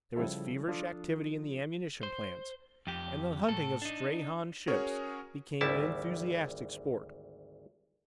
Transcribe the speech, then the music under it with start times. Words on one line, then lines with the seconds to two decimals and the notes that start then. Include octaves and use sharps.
There was feverish activity in the ammunition plants, and the hunting of stray Han ships became an enthusiastic sport.
0.16 C#3 F3 G3 E4 A4
0.67 F3 D4 F4 A4 D#6
2.03 C5
2.87 F2 G4
3.49 A2 A4
3.82 D4 D#4
4.67 C#4 F#4 G#4 A#4 C#5
5.61 G#1 D2 G3 E4 A5